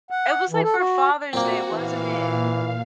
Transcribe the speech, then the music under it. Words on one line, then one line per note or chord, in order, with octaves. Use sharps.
it was like for Father's Day, wasn't it?
F#5
E3
A4
F#4
A#2 A#3 C4 F#4
A#2 E3 F5